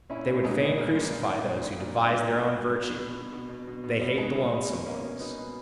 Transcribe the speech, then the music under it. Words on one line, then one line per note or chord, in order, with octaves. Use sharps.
They would fain crucify those who devise their own virtue--they hate the lonesome ones.
A#2 C#4 E4
A#2
A#2 G#3 B3
A#2
A#2 A#3
A#2
A#2
A#2
A#2
A#2
A#2
A#2
G#3
A#2 A#3
A#2
A#2
A#2
B2
B2
B2
B2
B2
B2
B2
B2
B2 G#3 B3
B2
B2
B2
B2 A#3 C#4
B2
B2 B3 D#4
B2